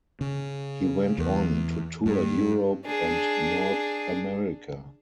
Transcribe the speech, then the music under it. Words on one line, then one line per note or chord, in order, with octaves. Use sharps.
He went on to tour Europe and North America.
C#3
E2
G2
D4 G#4